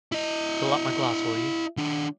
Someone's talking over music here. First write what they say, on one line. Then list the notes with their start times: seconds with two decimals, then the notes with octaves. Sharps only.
Fill up my glass, will you?
0.12 E4 D#5
1.77 D#3 D4